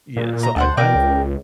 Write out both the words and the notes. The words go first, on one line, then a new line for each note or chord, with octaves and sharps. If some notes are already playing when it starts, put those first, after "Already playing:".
Yeah, so, I've I've
A#2
A#5
D2 C5 F#5 A5
B2 A#4 D5 G5
C#2